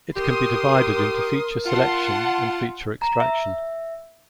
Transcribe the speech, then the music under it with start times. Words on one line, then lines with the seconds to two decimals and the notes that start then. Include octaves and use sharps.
It can be divided into feature selection and feature extraction.
0.16 G4 A#4 C6 D#6
1.66 F4 F#5 A5 C6
3.02 A#5
3.20 E5